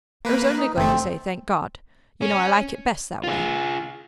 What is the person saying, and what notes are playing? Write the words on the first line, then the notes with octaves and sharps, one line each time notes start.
"I was only going to say 'Thank God.' You know I like it best that way."
A#3 B4
D#4
G1 A3 C4
C#4
F4 G#4